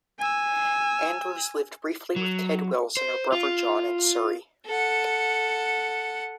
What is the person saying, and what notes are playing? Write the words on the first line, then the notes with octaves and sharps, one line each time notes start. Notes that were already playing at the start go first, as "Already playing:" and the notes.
Andrews lived briefly with Ted Wells and her brother John in Surrey.
G#5 E6
F#3
C5
F4
A4 F#5